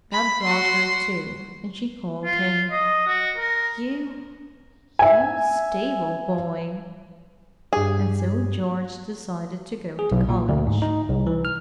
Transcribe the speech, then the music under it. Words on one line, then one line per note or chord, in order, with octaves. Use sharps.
That brought her to and she called him "You--you--stable boy." And so George decided to go to college.
B5
F#4 C6
F4
D#5
F#4
A#4
E5 G#5
G2 G4 G#4 G#6
G#4
B1
A#2
D2
G#2
D#4
C2
E3
F6